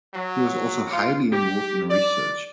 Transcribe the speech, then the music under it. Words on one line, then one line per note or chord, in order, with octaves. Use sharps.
He was also highly involved in research.
F#3
F4
G4
D5